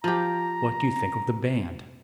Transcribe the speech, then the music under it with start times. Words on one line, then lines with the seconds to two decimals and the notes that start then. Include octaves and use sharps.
"What do you think of the band?"
0.04 F3 G4 A#5